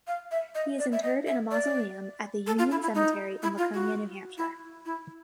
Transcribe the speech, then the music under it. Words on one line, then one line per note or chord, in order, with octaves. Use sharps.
He is interred in a mausoleum at the Union Cemetery in Laconia, New Hampshire.
F5
E5
D#5
D5
E5
D#5
E5
D5
A4
F4
E4
E4
D#4
E4
F4
F#4
E4
E4